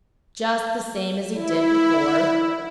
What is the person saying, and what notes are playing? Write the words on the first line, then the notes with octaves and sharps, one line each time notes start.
"Just the same as he did before?"
E4